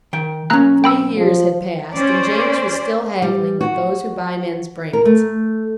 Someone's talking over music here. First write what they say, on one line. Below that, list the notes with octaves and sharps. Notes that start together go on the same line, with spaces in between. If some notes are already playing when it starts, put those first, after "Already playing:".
Three years had passed, and James was still haggling with those who buy men's brains.
D#3 G5
B1 A#3 C#4 A#5 F#6
G5 B5 E6
F3
C#4 C5 D5
G3
F#4
A#4
A3